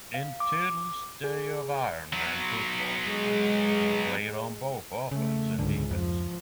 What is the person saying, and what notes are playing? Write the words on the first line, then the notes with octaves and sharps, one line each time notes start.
In Tittle's day of iron man football, he played on both offense and defense.
F5
D6
G#4
F#3 B3
G#3
C#3 A3
C#2 G#2 D3
F2 F3